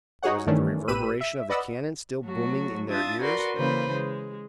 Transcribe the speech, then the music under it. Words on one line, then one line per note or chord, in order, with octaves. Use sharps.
Was it the reverberation of the cannon still booming in their ears?
D#4 F#4 G#4 C#5 F#5
G2 D#3 E3 A3 C#4 D4
A1 G4 B4 B5 E6 D#7
E5
B4 D5 D#5 F#5 B5 E6
F#3 A3 F#4
D4 F4 E5 D#6 A6
F#4 A#4 B4 D5 C6
C#3 E3 A#3 B4 C5
G#3